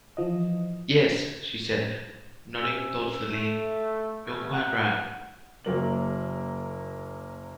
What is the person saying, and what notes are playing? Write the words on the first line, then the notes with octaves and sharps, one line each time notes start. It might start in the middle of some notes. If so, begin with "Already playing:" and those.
"Yes," she said, nodding thoughtfully, "you're quite right."
E3 F3 D#5
C3 C#4 E6
A3
C3 E3 A3 B3 C#4
F#5
F#1 F#3 A#3 F#7